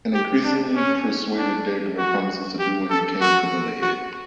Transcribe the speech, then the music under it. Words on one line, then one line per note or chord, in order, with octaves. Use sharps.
An increasingly persuaded Degra promises to do what he can to delay it.
G4
D4
C#4
D4
F#4
G4
A4
F#4
F#4